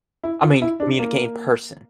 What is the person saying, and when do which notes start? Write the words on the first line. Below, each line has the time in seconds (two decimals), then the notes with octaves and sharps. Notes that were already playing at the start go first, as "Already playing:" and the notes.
I mean, communicate in person
0.23 E4
0.43 F4
0.62 E4
0.80 D4
0.99 A#3